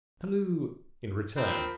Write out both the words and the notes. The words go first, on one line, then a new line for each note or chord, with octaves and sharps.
Halloo!' in return.
F3 C4 A#4 B5